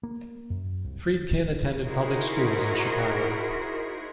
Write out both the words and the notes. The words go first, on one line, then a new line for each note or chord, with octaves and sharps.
Friedkin attended public schools in Chicago.
A#3
F#2
C2
D#4 E4 F#4 G#4 A#4 C5